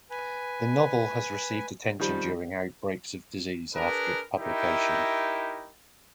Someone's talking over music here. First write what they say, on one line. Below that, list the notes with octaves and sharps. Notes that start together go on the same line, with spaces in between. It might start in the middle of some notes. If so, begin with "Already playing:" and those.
The novel has received attention during outbreaks of disease after its publication.
B4 G#5
D#3 F3 G3
D4 G#4 A#4 B4
D#4 E4 G4 A#4 E5